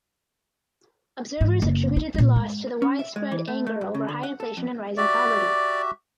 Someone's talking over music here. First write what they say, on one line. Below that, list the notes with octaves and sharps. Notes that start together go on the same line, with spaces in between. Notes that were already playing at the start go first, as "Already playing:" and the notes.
Observers attributed the loss to the widespread anger over high inflation and rising poverty.
G#2 E3
F#1
D#4
A#2 G3
G#3
C#4
E5
G#3
E3
A3
A3
G2
C#3
D3
F#5
A4
F2
F#4 G4 D5 E5